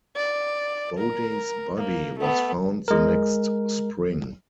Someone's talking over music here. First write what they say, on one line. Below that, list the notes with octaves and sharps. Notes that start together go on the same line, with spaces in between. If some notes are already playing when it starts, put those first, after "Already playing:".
Bodey's body was found the next spring.
D5
A#4
A#3
A3 B3
G#3 A#4